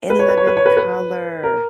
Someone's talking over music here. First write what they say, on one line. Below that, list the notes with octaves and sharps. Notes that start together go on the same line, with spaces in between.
In Living Color.
B4
C#5
B4
C#5
B4
C#5
B4
B4
A#4